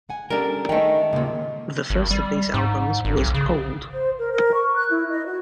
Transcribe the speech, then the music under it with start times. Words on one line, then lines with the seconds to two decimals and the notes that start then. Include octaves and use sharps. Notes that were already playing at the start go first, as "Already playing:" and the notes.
The first of these albums was "Old".
0.09 G#3 F#5 G#5
0.30 G3 C#4 D4 A4 A#4
0.69 D#3 G#3 A3 D#5 G5
1.13 D#2 A#2 C#3 G#3
1.90 G#1
2.11 G3
2.54 G#2
3.05 G#1
3.17 B1
3.34 C#3
3.91 C5
4.18 A#4
4.34 A#4
4.54 C#6
4.75 F#6
4.89 E4
5.10 D#5
5.26 F#4